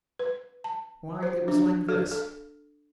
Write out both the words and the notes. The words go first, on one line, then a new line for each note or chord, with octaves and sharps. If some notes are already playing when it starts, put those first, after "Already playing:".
Why, it was like this.
B4
A5
C5
D4
A4
A4